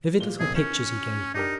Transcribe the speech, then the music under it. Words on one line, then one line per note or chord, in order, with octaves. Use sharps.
Vivid little pictures he gave me.
A#2 G7
E1 A#1 C4 G#4
C#4 G6 C#7 E7
D4 D#4 G4 A#4